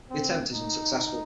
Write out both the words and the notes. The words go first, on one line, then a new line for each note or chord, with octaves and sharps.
The attempt is unsuccessful.
C4
D#4